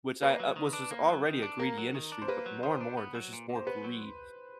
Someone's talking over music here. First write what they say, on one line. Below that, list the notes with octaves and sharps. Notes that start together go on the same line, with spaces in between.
Which I, uh, was just already a greedy industry, but more and more there's just more greed,
A#3 B4
F#3
D#3
D4
A#3
F#3
D#3
D4
A#3 A#4
F#3
D#3
D4
C5
A#3 B4
F#3
D#3 C5
D4
B3
F#3
A#2
A#2
C5
B3 B4
F#3